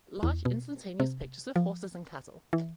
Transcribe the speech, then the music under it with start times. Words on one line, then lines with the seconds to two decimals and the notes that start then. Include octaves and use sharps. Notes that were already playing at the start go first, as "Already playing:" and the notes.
Large instantaneous pictures of horses and cattle’.
0.23 E2
0.45 B2
1.00 C3
1.56 F3
2.53 E3